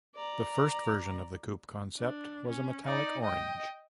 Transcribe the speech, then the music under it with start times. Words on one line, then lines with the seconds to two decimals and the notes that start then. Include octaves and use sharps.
The first version of the Coupe Concept was a metallic orange.
0.15 D5 A#5
1.98 D4
2.48 C#4
2.86 D#4 D5
3.22 D#5 G5